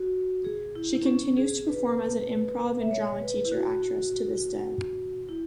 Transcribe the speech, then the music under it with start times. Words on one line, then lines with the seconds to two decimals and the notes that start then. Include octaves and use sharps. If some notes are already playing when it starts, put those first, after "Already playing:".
She continues to perform as an improv and drama theater actress to this day.
Already playing: F#4
0.45 G#4
0.75 E4
0.95 E4
1.06 C#4
1.37 G#4
1.68 B4
2.80 E5
2.91 C#5
3.22 B4
3.45 E4
3.52 F#4
5.29 E4